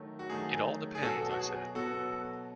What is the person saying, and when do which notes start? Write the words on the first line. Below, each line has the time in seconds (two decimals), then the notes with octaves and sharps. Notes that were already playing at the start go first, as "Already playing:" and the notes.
"It all depends," I said.
Already playing: D#3 F#3 A3
0.19 F#4
0.30 D#3 F#3 A3 G#4
0.95 G#4
1.02 B2 F#3 B3 F#4 A4
1.31 F#4
1.39 G#4
1.75 B2 F#3 B3 F#4 A4